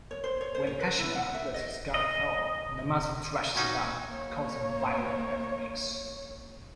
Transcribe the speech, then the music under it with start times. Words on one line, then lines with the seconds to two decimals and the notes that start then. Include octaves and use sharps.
When Kashima lets his guard fall, Namazu thrashes about, causing violent earthquakes.
0.11 C#5
0.24 C5
0.41 C#5
0.55 C5
0.67 C#5
0.80 B4
0.98 E4
1.15 F#5
1.34 E5
1.54 D#5
1.94 D#5
3.55 A#2 C#4 D#4 F#4
4.08 A#3 C#5